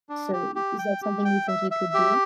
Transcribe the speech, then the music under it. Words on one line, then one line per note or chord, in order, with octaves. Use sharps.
So is that something you think you could do?
D4
G4
G4
G5
G4
G5
E5
E5
G4